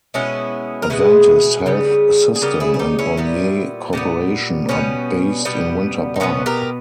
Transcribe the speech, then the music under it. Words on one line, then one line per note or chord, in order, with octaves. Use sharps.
Adventist Health System and Bonnier Corporation are based in Winter Park.
B2 G#3 B3 C#4 E4
A#4
B2 G#3 B3 E4 G#4
C#3 G3 B3
G#4
C#3 G3 B3 G4 A#4
E4 G#4
G#4
D#4 G4
C#4 E4
A#2 G3 B3
A#2 G3 B3
B2 G3 B3 C#4
B2 G3 B3
D#4
B2 G#3 B3 C#4
G4 A#4